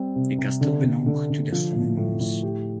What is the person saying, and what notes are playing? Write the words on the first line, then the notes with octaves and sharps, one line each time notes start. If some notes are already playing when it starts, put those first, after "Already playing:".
The castle belonged to the Homes.
Already playing: G3 C4
C3
C3
D3
D3
D3
D3
F3
A2
A2
A2
G4